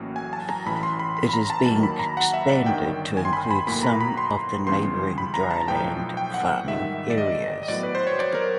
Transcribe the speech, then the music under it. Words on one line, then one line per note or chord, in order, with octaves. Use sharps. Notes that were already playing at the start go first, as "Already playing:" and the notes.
It is being expanded to include some of the neighbouring dryland farming areas.
Already playing: A1 A2 F#3 A#3 C#4
G#5
A5
A#5
A1 A2 E3 B5
B5
C6
B5
B5
B5
A#5
A5
D#2 D#3 F#3 A#3 A5
B5
A#5
F#5
E5
D5
G1 G2 D#3 G5
G#5
C6
B5
B5
B1 A2 F#3 A#3 B5
A#5
B5
C6
C#2 C#3 E3 G3 B3 C6
B5
A#5
A5
B1 A2 F3 G5
G5
F#5
G#2 D#3 G3 E5
D5
D#5
D#5
A2 F#3 B3 D5
B4
C5
C#5
D5
A#4